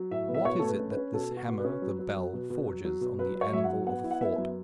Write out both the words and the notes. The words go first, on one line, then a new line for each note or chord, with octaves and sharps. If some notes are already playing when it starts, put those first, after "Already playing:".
What is it that this hammer, the bell, forges on the anvil of thought?
Already playing: F#3
A2 E5
B3
E5
B2 C#5
A3 A4
B4
C#4
B4
C#4
B2 A4
B2
F#4
B2
B4
C#4
F#3
F#3
F#3
B2
B2
F#3
F#3
B2
F#3 B4
F#3
C#5
F#2 E5
F#5
F#3
B3 F#5
E4
F#5
B3 E5
F#2